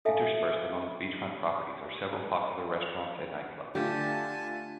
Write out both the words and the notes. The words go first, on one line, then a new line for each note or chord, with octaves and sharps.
Interspersed among the beachfront properties are several popular restaurants and nightclubs.
A4 E5 F5 G#5 A5
D3 A3 D4 F4 G4 G#5 A5